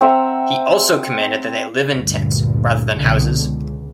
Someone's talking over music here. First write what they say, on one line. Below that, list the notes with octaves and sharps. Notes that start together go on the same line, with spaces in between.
He also commanded that they live in tents, rather than houses.
C4 E5 F#5 A#5
D2 G2 A#2
C2 B2 D3
C#2